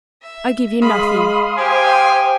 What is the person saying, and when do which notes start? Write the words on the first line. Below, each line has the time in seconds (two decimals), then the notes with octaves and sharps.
I give you nothing.
0.22 E5
0.82 G#3 F5 B5 C6 D#6
1.57 G4 C5 G5 G#5